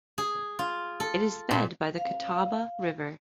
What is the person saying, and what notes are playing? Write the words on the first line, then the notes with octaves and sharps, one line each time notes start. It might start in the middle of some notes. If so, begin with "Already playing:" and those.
It is fed by the Catawba River.
G#4
F4
A4
A#2
F5